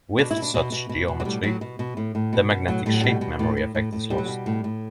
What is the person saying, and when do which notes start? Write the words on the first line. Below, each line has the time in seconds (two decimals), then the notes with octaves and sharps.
With such geometry the magnetic shape memory effect is lost.
0.19 B2 D4
0.31 E4
0.37 B2
0.42 D4
0.54 B2
0.72 B2
0.89 B2
1.08 B2
1.20 F#3
1.25 A2 G3
1.43 A2 F#3
1.61 B2
1.79 B2
1.97 A2
2.15 A2
2.33 B2
2.50 B2
2.68 A2 F#3
2.86 A2 G3
2.94 F#3
3.01 B2 G3
3.21 B2
3.39 A2
3.57 A2
3.75 A2
3.93 A2
4.10 B2 G3
4.18 F#3
4.26 B2 G3
4.46 A2
4.64 A2